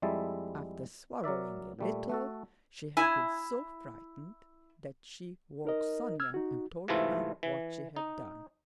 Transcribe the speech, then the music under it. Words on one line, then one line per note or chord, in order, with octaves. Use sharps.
After swallowing a little she had been so frightened that she woke Sonya and told her what she had done.
F2 G3 G#3 E4 E5 A5
F#3 A#4 D5 E5
A#2 G3 A3
A3 F#4 A4
E4 G#5
D#4 A#4 D#5
E6 F6 G#6
D#4 F#4
G#2 C3 E3 A3 E4 F4
E3
D#4